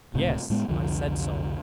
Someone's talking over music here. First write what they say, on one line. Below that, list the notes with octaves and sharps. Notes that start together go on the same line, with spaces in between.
"Yes, I said so."
D1 C#2 A2 C3
A2 G#3 B3
C2 F2 D3 F3